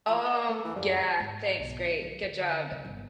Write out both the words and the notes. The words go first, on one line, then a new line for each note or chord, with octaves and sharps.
Oh, yeah, thanks, great, good job, m
E3 A3 F4
D#5
A3 A4
D#2 E3
F#2 G3
G#2
B1
E3
F3
D3
C#3
G1